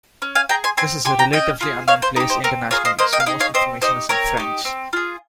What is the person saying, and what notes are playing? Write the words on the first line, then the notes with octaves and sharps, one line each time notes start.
This is a relatively unknown place internationally, so most information is in French.
C#4
F5 G#5
G#4 G5 A#5
G#5 C6
C4 G#5 C6
G4 G#5 C6
G5 A#5
C#4 D#5 G5
F4 G#4
A#3 C#5 F5
C5
D#4 G4 A#4
C5
C4 A#4
F4 G#4 A#4 C#5
C5 D#5
A#3 C5 D#5
D#5 G5
F5
D#4 G#4 D#5 G5
C#5 F5
C4 C5 D#5
D#4 G4 C5 D#5
C4 A#4 C#5
D#4 G4
C4
F4 G#4